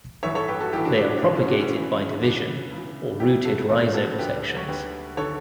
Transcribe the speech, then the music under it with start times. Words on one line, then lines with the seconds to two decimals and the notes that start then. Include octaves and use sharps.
They are propagated by division or rooted rhizome sections.
0.23 A1 G2 E3 C#5 E5
0.35 A4 C#5
0.48 G4 B4
0.61 F#4 A4
0.73 A1 G2 E3 E4 G4
0.85 D4 F#4
0.97 D4 F#4
1.10 D4
1.22 A1 G2 E3 D4
1.35 C#4 E4
1.47 D4 F#4
1.59 C#4 E4
1.72 A1 G2 E3
2.21 C#2 C#3 E3 D4 F#4
2.71 C#2 C#3 E3
3.19 C#2 C#3 E3 E4 G4
3.45 F#4 A4
3.69 C#2 C#3 E3 F#4 A4
3.94 F#4 A4
4.19 D2 D3 G4 B4
4.56 C#5
4.68 D2 D3 G4 B4
5.17 D3 A4 C#5